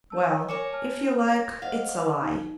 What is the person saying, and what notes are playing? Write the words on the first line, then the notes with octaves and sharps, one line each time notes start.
Well, if you like, it's a lie.
C#5 A5 E6
A#4 C#5 G#5 D6 C#7 E7
A5 F6
G#6 A#6
C5 D#5 F5 F#5
D#4